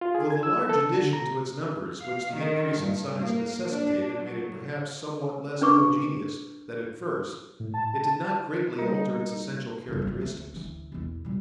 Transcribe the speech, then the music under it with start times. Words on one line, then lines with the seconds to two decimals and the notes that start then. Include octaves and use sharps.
Though the large addition to its numbers which the increase in size necessitated made it perhaps somewhat less homogeneous than at first, it did not greatly alter its essential characteristics.
0.01 F4
0.15 G#4
0.30 G#6
0.43 E6
0.69 A4
0.93 D3
1.13 A#5
2.01 F5
2.30 D#3
2.80 G2
3.15 A#3
3.70 D4
4.19 F#3
5.61 D4 B4 C#6 D6
7.59 A2
7.74 A5
8.78 G3 A#3 D#4
9.88 G1 C#2
10.02 F#3
10.20 D2 A3
10.53 D2 E3
10.92 B1 E2
11.25 A#2 G3